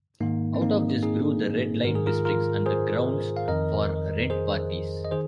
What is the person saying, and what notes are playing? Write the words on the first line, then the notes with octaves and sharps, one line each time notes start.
Out of this grew the red light districts and the grounds for rent parties.
G#2 D#3 A#3 D#4
C4
A#3 D#4
D#4 G#4
G#2 D#3 A#4
G#4
F4 A#4
F4 A#4
G#4 C5
F5
F2 D#3 A#4 D#5
G#4 C5
D#5
D#3 G#4 C5